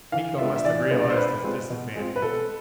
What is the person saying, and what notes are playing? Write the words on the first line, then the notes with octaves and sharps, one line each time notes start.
Miko must have realized his disadvantage.
E3 F5
G#3 B3 D4 F4 E5
E5
E3 D5
G#3 B3 D4 F4
D5
C5
B2 B4
G#3 C4 F4
B2
G#3 C4 F4
B4
B2 A4